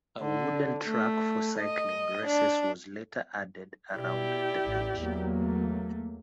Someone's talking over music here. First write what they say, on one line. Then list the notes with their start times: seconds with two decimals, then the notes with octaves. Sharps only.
A wooden track for cycling races was later added around the pitch.
0.20 D3
0.85 A3
1.59 D#5
2.26 D4
3.95 B2 E4 G4 D5
4.64 A1
4.98 E2 F#3 A#3
5.38 A3